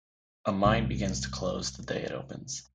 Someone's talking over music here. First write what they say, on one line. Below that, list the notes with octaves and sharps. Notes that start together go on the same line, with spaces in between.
A mine begins to close the day it opens.
C2 A#2